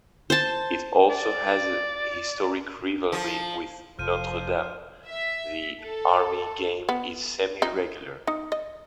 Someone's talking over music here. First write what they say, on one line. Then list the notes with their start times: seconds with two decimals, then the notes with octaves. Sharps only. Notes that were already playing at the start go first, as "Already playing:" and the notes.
It also has a historic rivalry with Notre Dame; the Army game is semi-regular.
0.30 C5 A5
1.10 D5
3.12 F3
3.99 F1 F3 C5 F6 G6 D#7
5.05 E5
5.82 A4
6.89 B3
7.62 D#4
8.27 D#4
8.52 D#5